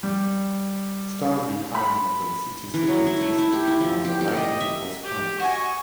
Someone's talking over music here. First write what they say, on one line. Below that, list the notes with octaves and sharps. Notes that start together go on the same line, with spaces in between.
Stars with higher metallicity such as this are more likely to host planets.
G3
B5
E3
F#3
E4
A3
E4
G4
E4
F3
G4
G4
D#5
E5
G4
F#4 D#5 G#5 C#6